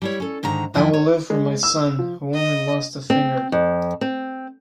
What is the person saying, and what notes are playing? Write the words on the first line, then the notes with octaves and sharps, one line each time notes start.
I will live for my son, who only lost a finger.
G3 E4 C#5
C#4 A4
G#2 D3 D#3 A#5
E2 F3 E4 G5 G#5
C#5
G#3
E6
F3
D#5
C4
F2
C4